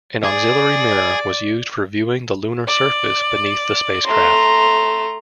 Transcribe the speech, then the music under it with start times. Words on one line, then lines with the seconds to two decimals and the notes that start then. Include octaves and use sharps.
An auxiliary mirror was used for viewing the lunar surface beneath the spacecraft.
0.24 G#4 D5
2.67 D5
4.06 A3 A#5 C6